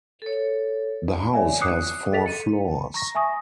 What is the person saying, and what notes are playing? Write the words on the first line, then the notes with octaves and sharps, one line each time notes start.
The house has four floors.
A4 C#5
C#5 D5 E5 G#5
D6 D#6 F#6 C7 C#7
G#4 A4 D#5 A6 B6 F7
C#7 D#7
A#5 C#6 A#6
E5 G#5 A#5 C#6 D#6 A#6